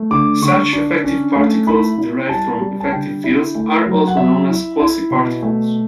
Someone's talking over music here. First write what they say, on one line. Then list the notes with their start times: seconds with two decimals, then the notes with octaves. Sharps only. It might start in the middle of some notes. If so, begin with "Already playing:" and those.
Such "effective particles" derived from effective fields are also known as quasiparticles.
Already playing: A3
0.11 D3 D6
0.42 D3 C#6
0.73 D4
1.04 C#4
1.36 A3
1.67 E4 B5
1.98 E4
2.29 G3 A5
2.61 G3
2.80 A5
2.92 D3 G5
3.24 E4
3.55 A3
3.86 F#3
4.07 F#5
4.17 F#3 E5
4.49 E4
4.80 E4
5.11 B2
5.43 A3